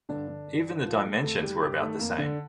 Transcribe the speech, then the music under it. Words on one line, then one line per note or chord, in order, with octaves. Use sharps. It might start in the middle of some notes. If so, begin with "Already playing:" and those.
Even the dimensions were about the same.
G2 D3 D4
D3
G2
D#3
A2 F3 F4
A3 A4
F2 A3 A4
D#3 G3 G4
G2 G3 G4
D#3 A3
F2 A#3
D3 D4